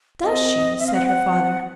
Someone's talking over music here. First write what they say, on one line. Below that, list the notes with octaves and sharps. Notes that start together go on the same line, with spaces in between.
'Does she?' said her father.
C4 D#5
C4 E5
F5
F#5
F#5